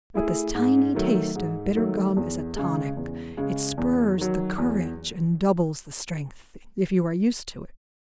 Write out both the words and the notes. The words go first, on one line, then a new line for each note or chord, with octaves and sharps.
But this tiny taste of bitter gum is a tonic; it spurs the courage and doubles the strength--if you are used to it.
A3 E4 G#4
G#2
D#3 F#3 A3
G#2
D#3 F#3 A3
E2
C#3 G#3
E2
C#3 G#3
E2
D#3 F#3
E2